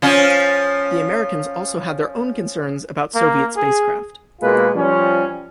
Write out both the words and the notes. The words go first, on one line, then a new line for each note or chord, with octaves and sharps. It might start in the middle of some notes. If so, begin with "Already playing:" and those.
The Americans also had their own concerns about Soviet spacecraft.
F3 C#4
A#3
G#4
B2 G#3 A#3 F4 G#4 B4
F3 G3 C#4